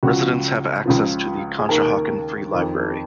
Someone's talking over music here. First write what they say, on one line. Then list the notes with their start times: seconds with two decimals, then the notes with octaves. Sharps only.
Residents have access to the Conshohocken Free Library.
0.03 C#2 C#3 F3 F#4
0.86 C#2 C#3 F3
1.59 G#4
1.69 D#2 D#3 A#4
2.52 F2 D#3